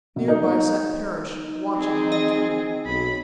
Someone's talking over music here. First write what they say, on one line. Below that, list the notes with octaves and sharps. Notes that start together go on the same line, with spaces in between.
Near by sat Parrish, watching him too.
B2
D#4
D#4
C4 G#4
D#5
B1 B5